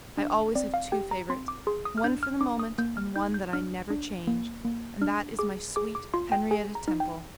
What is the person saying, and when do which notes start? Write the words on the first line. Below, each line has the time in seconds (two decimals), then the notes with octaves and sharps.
I always have two favourites: one for the moment, and one that I never change, and that is my sweet Henrietta Temple.
0.18 D4
0.55 C4 D5
0.74 F5
0.92 G4 G5
1.11 A#5
1.29 C4 C6
1.48 D6
1.67 G#4 C6
1.85 D#6
1.98 F6
2.04 D4 G6
2.23 F6
2.41 D4 D6
2.59 D#6
2.78 A#3 G6
2.97 F6
3.16 D#4 G6
3.34 G6
3.53 D4 F6
3.90 D4
4.27 A#3
4.65 A#3
5.02 D4 F6
5.39 G#4 D6
5.76 G#4 D6
5.95 D6
6.14 F4 C6
6.32 G5
6.51 G#4 G#5
6.75 A#5
6.88 D#4
7.00 G5